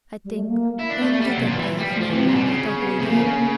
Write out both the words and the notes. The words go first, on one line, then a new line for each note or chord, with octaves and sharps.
I think only that I have known you not a whole year.
G3
A3
A#3
E4
D4
A3
A3 A#3
G3
F#3
C3
A#2
F3
E3
G3
F3
F3
E3 C4
C3
A#2
B2
C#3
B3
C3 A3
C#3 A#3
A#3